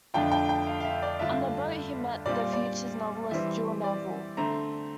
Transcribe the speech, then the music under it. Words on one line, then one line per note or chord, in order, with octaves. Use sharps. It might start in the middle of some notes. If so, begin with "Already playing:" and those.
On the boat he met the future novelist Jill Neville.
F2 D3 A3 D4 F4 G5
G5
G5
F5
F5
E5
D5
G2 D3 A3 D4 F4 E5
A#2 G3 C4 F4 D5
D5
E3 G3 C4 E5
D5
D3 A3 C4 A#5